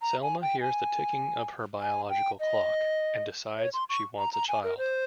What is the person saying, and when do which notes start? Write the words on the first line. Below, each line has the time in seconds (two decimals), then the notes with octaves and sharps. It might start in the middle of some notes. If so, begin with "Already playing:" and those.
Selma hears the ticking of her biological clock, and decides she wants a child.
0.02 A#5
0.22 G#5
0.42 G5
0.62 G#5
1.81 G#5
2.10 G5
2.40 D#5
3.59 C#5
3.74 C6
3.90 C#6
4.19 A#5
4.33 A#5
4.49 G#5
4.64 A#4
4.79 C5